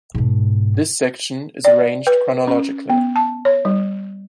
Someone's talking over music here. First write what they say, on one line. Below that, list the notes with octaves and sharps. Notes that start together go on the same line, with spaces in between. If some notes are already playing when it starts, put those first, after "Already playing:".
This section is arranged chronologically.
G#2 B2
D5
B4
C#4
B3
A5
C#5
G3